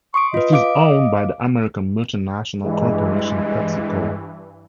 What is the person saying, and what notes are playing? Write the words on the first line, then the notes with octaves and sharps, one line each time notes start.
It is owned by the American multinational corporation, PepsiCo.
C6 C#6 D#6 D7
F4 B4 D#5
F5 D6 D7
G2 E3 G#3